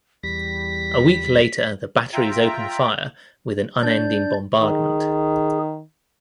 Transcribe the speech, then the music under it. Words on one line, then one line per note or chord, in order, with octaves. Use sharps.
A week later the batteries opened fire with an unending bombardment.
E2 G3 A#6 B6
F4 E5 G5 A#5
D4 D5 G6
D#3 G#4